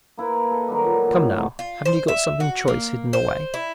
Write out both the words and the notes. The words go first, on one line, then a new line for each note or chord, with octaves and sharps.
Come, now, haven't you got something choice hidden away?'
A#3 E4 B4
A4 D#5
D#3 F#3 G3
A#2 D#3
A2 C#5 G#5
C3 G3 F#4
F4
C5
E5
F#4
A#3
C5
E4